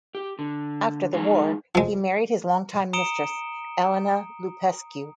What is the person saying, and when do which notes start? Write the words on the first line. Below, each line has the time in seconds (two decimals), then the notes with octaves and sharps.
After the war, he married his longtime mistress, Elena Lupescu.
0.15 G4
0.39 D3
1.14 F3 F#3 G#3 D#4 F#4 G#4
1.75 F3 G#3
2.93 A#5 D#6 C#7 D7 E7 G7